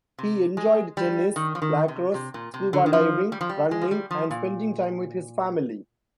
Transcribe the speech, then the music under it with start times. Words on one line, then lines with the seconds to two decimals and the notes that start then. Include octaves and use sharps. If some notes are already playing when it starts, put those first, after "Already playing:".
He enjoyed tennis, lacrosse, scuba diving, running, and spending time with his family.
0.18 C3
0.57 G#3
0.97 G3
1.36 D#3
1.55 F3
1.62 D#3
1.88 C3
2.14 C3
2.34 A#2
2.54 C3
2.73 D3
2.86 D#3
2.93 F3
3.32 G3
3.41 F3
3.50 G3
3.71 G#3
3.81 F3
3.91 G3
4.11 F3
4.31 A#2